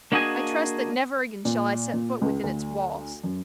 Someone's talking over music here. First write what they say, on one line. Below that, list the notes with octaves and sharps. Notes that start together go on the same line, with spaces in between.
I trust that never again shall I set foot within its walls.
A#3 D4 F#4 G#4 D#5 G#5
A#2
A#2
C#2
D2
F#2